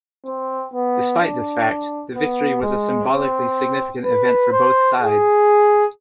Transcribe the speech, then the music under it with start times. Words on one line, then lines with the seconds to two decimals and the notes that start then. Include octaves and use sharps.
Despite this fact, the victory was a symbolically significant event for both sides.
0.26 C4
0.74 B3
1.21 D4
2.16 B3
2.62 G#3
3.11 C4
4.05 B4
4.52 C5
5.00 G#4